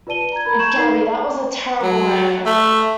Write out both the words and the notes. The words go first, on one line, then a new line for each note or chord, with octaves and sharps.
Gabby, that was a terrible moment.
F4 B4 D5 A5 D#7 G7
A#5 G#6
A#4 B5
A5 C#6 G6 G#6 E7 F#7
D#4 A#4 B4 D5 C7
F#3
A3